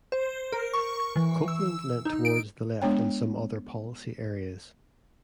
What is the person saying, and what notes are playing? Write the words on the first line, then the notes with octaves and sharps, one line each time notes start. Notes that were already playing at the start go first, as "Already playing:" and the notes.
Copeland leant towards the left in some other policy areas.
C5
A#4
C#6
E3
E6
D#4
D7
G#3 B3 D4 C#5 G5